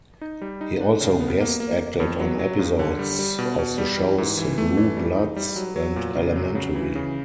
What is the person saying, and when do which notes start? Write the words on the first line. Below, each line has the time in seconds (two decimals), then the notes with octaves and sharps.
He also guest acted on episodes of the shows "Blue Bloods" and "Elementary".
0.21 D#4
0.42 G3
0.61 D#4
0.81 D4
1.01 C#3
1.20 B3
1.40 A#3
1.60 A#3
1.80 A#3
2.00 F2
2.20 F#3
2.39 F#3
2.59 G2
2.79 D3
2.99 G3
3.19 G3
3.39 B2
3.58 B2
3.78 G3
3.98 E3
4.18 G#2
4.37 E3
4.58 A3
4.77 E3
4.97 G3
5.17 D#4
5.36 G3
5.56 F#3
5.76 F#3
5.96 A#2
6.16 C#3
6.36 F#3
6.55 C#3
6.75 E3
6.95 C#3